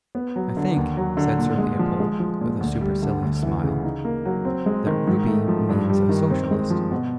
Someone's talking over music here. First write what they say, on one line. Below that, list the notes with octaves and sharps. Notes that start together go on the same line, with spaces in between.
"I think," said Sir Leopold, with a supercilious smile, "that Ruby means a Socialist."
B3
F#3
D3
D#2
F#3
D3
A#2
G#3
F3
G#3
F3
A#2
D2
G3
D3
D2
E3
C#3
D#4
A#3
F#3
C4
G#3
D#3
G#2
A3
F3
G2
G3
D#3
C4
G#3
F3
B2